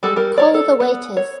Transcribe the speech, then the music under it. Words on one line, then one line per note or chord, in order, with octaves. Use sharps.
Call the waiters!
G3 G#3 A4
G3 A#4
C#5 D5
A4
B3
C#5